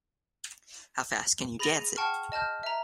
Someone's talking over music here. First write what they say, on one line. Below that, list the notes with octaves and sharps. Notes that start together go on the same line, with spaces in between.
How fast can you dance it?
G#4 B5 A6 A#6 D#7 F7
F#5 G5 A5 C#6 F6
D#5 A5 F6 G6
E5 A#5